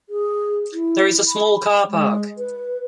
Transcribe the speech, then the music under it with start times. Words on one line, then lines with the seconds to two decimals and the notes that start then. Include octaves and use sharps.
There is a small car park.
0.10 G#4
0.73 E4
1.27 B5
1.88 G#3
2.38 B4